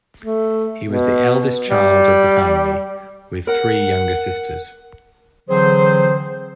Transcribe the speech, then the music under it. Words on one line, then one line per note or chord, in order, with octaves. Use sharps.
He was the eldest child of the family, with three younger sisters.
A3
B2
G3
A#4 F#5
D3 E3 F#3 C4 G#4 C5